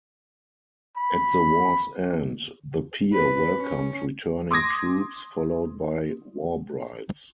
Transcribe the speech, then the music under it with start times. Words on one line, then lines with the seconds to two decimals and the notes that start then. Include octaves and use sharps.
At the war's end the Pier welcomed returning troops followed by war brides.
0.97 B5
3.13 B4
3.58 C#4
4.51 C6 D6 D#6 G#6 A#6